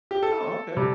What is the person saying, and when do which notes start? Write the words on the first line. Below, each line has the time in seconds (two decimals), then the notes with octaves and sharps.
Oh, okay.
0.11 G4
0.23 A4
0.77 C3 G3